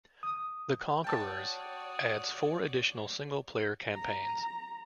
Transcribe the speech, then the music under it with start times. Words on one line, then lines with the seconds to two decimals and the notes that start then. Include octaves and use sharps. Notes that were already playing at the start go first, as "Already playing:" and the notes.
"The Conquerors" adds four additional single player campaigns.
0.23 D#6
1.04 F#4 C#5 D5 G5 A5 D#6
3.95 A#5